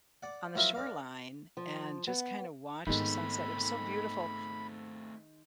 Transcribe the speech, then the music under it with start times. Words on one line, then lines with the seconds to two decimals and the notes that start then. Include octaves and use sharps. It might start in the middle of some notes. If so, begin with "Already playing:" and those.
on the shoreline, and just kind of watch the sunset. It was so beautiful,
0.23 D5 F#5
0.55 F3 F#3 E4 F4 A#4 E5
0.75 D4 A#4 F5
1.57 F3
2.07 B3
2.87 G#2 D#3 G#3 A3 B3 C4 B5